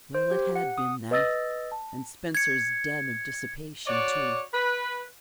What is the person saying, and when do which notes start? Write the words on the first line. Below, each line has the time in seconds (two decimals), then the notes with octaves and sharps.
Well, it had been that, and Spencer's den of dissipation too!
0.15 C5
0.31 G4
0.56 F#5
0.78 D#6
1.11 B4 D#5 D#6 E6 A6 A#6
1.72 A5
2.35 G#6 C#7
3.87 F#4 C#5 D5
4.53 B4